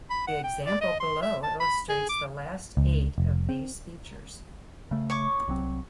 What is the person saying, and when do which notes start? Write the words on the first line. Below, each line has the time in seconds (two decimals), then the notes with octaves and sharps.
The example below illustrates the last eight of these features.
0.10 B5
0.27 F#5
0.44 G5
0.66 D5
0.81 D#5
1.00 C6
1.22 E5
1.43 A5
1.60 B5
1.89 G#4
2.09 D6
2.77 C#2
3.18 F1
3.49 C4
4.91 C#3 A3
5.10 C#5 C#6 D6
5.48 C2 F#3 C4